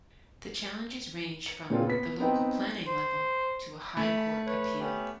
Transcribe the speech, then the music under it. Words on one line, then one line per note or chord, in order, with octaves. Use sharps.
The challenges ranged from the local planning level to a High Court appeal.
C#7
A#2 C#3 C4 D4 F4
B3 B6
B3 C4 D#4 G5
C5
A3 A5 B5
B4 C#5
B3 C#4 G4